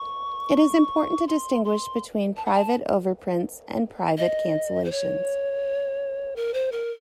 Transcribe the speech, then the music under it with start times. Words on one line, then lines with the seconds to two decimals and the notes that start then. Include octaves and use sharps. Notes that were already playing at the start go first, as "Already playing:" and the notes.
It is important to distinguish between private overprints and private cancellations.
Already playing: C#6
1.28 C6
1.65 C6
2.37 A5
2.46 F#5
2.53 A5
4.18 D#5
4.85 C5
4.91 C#5
6.36 A#4
6.54 C5
6.72 A#4